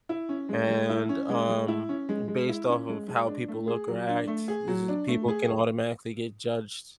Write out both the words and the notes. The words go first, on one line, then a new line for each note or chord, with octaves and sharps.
and, um, m based off of how people look or act, it's just, people can automatically get judged
E4
C#4
G#3
G#3
E4
C#4
G#3
G#3
E4
C#4
G#3
G#3
E4
C#4
G#3
G#3
D4
A3
G#4
F#3
D4
A3
G#4
F#3
D4
A3
G#4